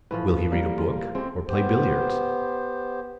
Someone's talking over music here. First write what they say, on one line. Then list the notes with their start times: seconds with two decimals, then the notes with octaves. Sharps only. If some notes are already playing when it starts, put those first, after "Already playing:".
Will he read a book or play billiards?
0.11 A2 E3 F3 B4
0.28 F3
0.51 G3 A#3
0.78 F4
1.15 G#3 A3 C4 G4
1.48 B3 G4 C5